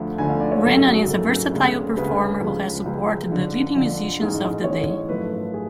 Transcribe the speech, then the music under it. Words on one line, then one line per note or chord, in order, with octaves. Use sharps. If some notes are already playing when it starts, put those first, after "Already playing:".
Brennan is a versatile performer who has supported the leading musicians of the day.
Already playing: D2 D3 F3 A3
D2 D3 F3 A3 G#5
F5
D5
C#5
G#1 F#2 C#3 A4
G#4
F#4
F#4
G#1 F#2 C#3 A4
D2 C#3 G#3
D2 C#3 G#3 B4
C#2 C#3 F3 G#3
C#2 C#3 F3 G#3
F2 D3 F3
F2 D3 F3
A1 G#2 G#3
A1 G#2 G#3 C#5
G#1 F#2 F3 A3 B4
G#4